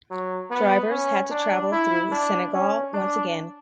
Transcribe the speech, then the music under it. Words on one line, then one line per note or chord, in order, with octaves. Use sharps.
Drivers had to travel through Senegal once again.
F#3
B3
C#4
D4
E4
D4
C#4
D4